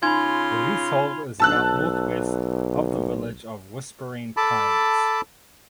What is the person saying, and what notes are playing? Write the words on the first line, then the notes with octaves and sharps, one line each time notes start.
The leasehold is about northwest of the village of Whispering Pines.
C#3 D#4 F4 G#5 B5 C6 G#6
B1 A5 E6 F#6
A4 A5 B5 D6